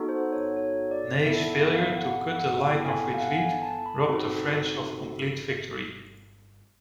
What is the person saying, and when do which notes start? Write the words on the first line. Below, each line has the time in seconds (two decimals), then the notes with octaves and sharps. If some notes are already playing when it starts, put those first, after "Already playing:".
Ney's failure to cut the line of retreat robbed the French of complete victory.
Already playing: B3 D#4 F#4 A4
0.09 C5
0.32 C#5
0.57 C#5
0.91 D5
1.26 B3 E4 A4 E5
1.50 E5
1.74 F5
1.97 F#5
2.32 F#5
2.67 B3 E4 A4 G5
2.85 G#5
3.03 G#5
3.14 F5
3.20 F#5
3.38 G#5
3.62 A5
3.86 B5
4.09 C4 D#4 F#4 A4